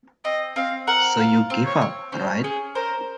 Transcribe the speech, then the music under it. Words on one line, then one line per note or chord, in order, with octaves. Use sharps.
So you give up, right?
C4 D#5
C4 F5
A#4 F#5
F4 F5
C4
C#5
C4
C#4 C5
C#4 G#4
A#4 C5